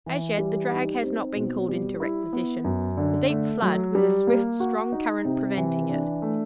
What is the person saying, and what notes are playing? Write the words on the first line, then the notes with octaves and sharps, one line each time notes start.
As yet the drag has not been called into requisition; the deep flood, with a swift, strong current preventing it.
E3
G3
D#4
C4
B2
G3
E4
B3
F#2
D3
A3
F#3
G3
A#3
F#4
D#4
C3
E3
D4
A3